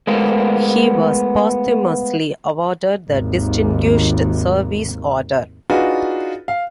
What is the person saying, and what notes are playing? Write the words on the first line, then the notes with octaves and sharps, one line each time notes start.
He was posthumously awarded the Distinguished Service Order.
G#3 A3 B3 F4 A#4 C5
G#1 D#2
D4 D#4 F4 F#4 G#4 B4
F5